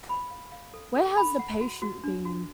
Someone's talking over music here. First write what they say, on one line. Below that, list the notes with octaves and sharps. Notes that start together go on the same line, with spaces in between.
Where has the patient been?
B5
F5
F5
A4
A4
B5
F#5
F#4
F#4
D4
F#4